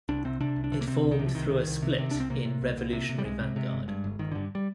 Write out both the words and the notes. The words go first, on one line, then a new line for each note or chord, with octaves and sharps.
It formed through a split in Revolutionary Vanguard.
C2 D4
C3 C4
C3 D4
C2
D4
C3
A#3
C3 C4
C2
D#3
C3
F3
C2 D#3
C2
C2
C3
C3
C2 D4
C4
C3 A#3
C3
C2
C2
C3
C3
G3
C2 G#3
C3
C3
G1
G2
G1
G1 D#3
G2 D3
G3